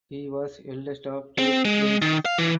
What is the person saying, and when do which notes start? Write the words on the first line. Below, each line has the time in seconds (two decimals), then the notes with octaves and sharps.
He was eldest of two siblings.
1.39 C4
1.65 G#3
2.02 D#3
2.25 F5
2.38 E3